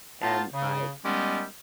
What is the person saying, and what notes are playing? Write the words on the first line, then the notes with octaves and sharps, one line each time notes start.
and I
B3 D#4 F4 F5 A5
C#3
D#3 G3 G#3 B3 C#4 G4